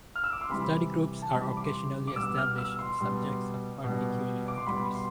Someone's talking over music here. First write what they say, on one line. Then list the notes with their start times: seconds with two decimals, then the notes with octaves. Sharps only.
Study groups are occasionally established on subjects of particular interest.
0.16 F6
0.24 E6
0.33 D6
0.41 C6
0.49 C3 E3 G3 B5
1.22 A5
1.34 C3 E3 G3 B5
1.57 D6
1.61 C6
2.08 D6
2.16 B2 G3 E6
2.38 F6
2.58 E6
2.79 C6
3.00 B2 G3
3.84 B2 G3
4.48 D6
4.58 C6
4.67 B2 G3 B5
4.95 C6